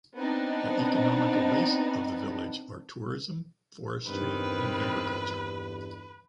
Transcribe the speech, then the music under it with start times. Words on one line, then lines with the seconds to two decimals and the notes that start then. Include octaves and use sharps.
The economical base of the village are tourism, forestry and agriculture.
0.15 B3 C4 D4 D#4
4.07 G1 E2 G2 D#3 C4 B4